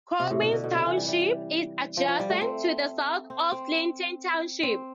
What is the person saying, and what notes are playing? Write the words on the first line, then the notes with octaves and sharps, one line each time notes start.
Comins Township is adjacent to the south of Clinton Township.
C3
A2
B2
D3
B2
C3
E3
G3
G3
F3
F3
G3
A3
C4
C4
C4
C4